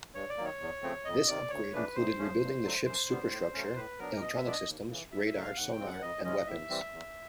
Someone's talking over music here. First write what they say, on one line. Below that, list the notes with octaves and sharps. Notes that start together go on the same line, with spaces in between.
This upgrade included rebuilding the ship's superstructure, electronic systems, radar, sonar, and weapons.
G2 C#5
D5
D#3 F#3 A#3
C#5
E2
C#3 F3 A3 C4
F2 D#5
C3 D#3 D5
D2 C#5
C#3 E3 A3 D4 B4
D2 C5
C#3 F3 A3 C#4
G2
D3 F#3 A3
F#2 C5
D3 G3 B3
A2
F#3 A3 C#4
A2 B4
F#3 B3 D4 A#4
B2 D#5
E5
G#3 B3 D4 D5
D#5
D#2
C#3 E3
F#2 E5
E5
C#3 F#3 A3
F5
D#2 F#5
G5
C#3 F3 G#3 C4
F#5
F2 D#5
C3 D#3 G#3 C#4 D#5
A2 E5
E3 G3 C4
E2